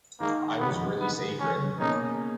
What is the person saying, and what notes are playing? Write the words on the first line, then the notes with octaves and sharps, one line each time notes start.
I was really sacred!
D#3 G#3 A#3 D#4
B3
B3
C#4
B2 A#3 C#4 D#4 G#4